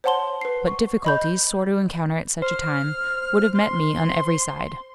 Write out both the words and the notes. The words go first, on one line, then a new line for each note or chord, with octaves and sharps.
But difficulties, sore to encounter at such a time, would have met me on every side.
C5 C#5 F#5 A5 C6 G7
B4 C7
C#6
D#5 B5 G6
C5 F6
C6